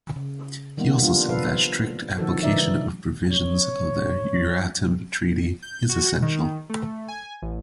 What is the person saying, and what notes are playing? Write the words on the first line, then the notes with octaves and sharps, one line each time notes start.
He also said that, strict application of provisions of the Euratom Treaty is essential.
C#3
D#3 G3 G#3 A#3 B3
C3 G3 D4 F4
F3 F4 A4 B4 F5
D#3 F3 F#4 A4
C#3 E3 D#4 D5 E5
C#5
G6
F#4
D#3
A3
G#5
A1